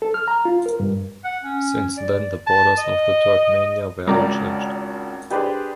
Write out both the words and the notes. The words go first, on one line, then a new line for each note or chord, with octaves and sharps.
Since then the borders of the Turkmenia were unchanged.
A4
F6
A#5
F4
A#4
G2
F#5
C#4
D5
A5
D#5
G#1 C#2 A#4 D5 A#5 D6
D4 G4 G#4 B4 C5 D5